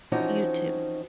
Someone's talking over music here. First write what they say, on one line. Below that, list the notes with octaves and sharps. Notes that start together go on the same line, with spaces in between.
You too.
E3 F3 C4 C#4 D#4 F#4